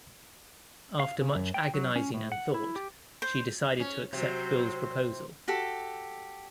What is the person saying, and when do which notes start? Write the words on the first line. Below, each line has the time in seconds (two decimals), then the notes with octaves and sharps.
After much agonising and thought, she decided to accept Bill's proposal.
1.00 F5
1.21 C#3
1.35 F#2
1.54 G5
1.74 F#3
1.96 C#4
2.14 A2
2.32 F#5
2.54 E4
2.76 G4
3.22 C5
3.80 C#4
4.13 C3 F#3 C5
5.48 F#4 G4 A4